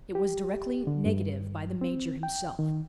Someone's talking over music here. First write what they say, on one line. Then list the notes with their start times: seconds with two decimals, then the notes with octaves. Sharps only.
It was directly negatived by the major himself.
0.15 G4
0.87 D3
1.06 G2
1.81 C4
2.23 G5
2.59 D#3